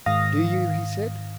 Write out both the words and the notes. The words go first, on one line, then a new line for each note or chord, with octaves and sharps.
"Do you?" he said.
G#2 D#3 F5 D#6 A#6